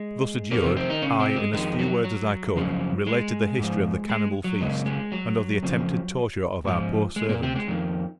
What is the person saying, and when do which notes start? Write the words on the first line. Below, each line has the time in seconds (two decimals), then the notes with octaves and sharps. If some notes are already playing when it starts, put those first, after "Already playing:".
Thus adjured, I, in as few words as I could, related the history of the cannibal feast, and of the attempted torture of our poor servant.
Already playing: G#3
0.51 F2 A#2 D#3 A#3
0.64 C3 C4
0.77 C3 C4
0.89 D#3 D#4
1.02 C#3 C#4
1.19 C3 C4
1.36 G#3
1.53 F2 D#3 G#3
1.79 F#3
2.04 F#3
2.56 F#2 C#3 F3
3.07 G#3
3.58 G#2 F3
4.10 G#3
4.44 F#3
4.61 F#2 C#3 G#3
4.86 G#3
5.12 F#3
5.63 F2 C#3 F3
6.65 G#2 F3
7.16 G#3
7.29 A#2 A#3
7.43 C3 C4
7.56 G#3
7.68 F2 D#3